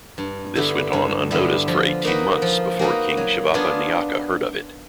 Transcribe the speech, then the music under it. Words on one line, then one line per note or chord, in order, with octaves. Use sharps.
This went on unnoticed for eighteen months before King Shivappa Nayaka heard of it.
G2
D3 G3 B3 E4
G2
D3 G3 B3 E4
F3
A#3 D#4 F#4 B4
F3
A#3 D#4 F#4 B4
F#3
B3 D4 F4 G#4